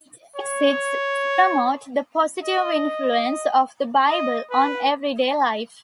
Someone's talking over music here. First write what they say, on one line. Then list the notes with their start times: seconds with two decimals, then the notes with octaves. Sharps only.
It exists to promote the positive influence of the Bible on everyday life.
0.36 C#5
2.43 D#5
4.09 D#5
4.50 B4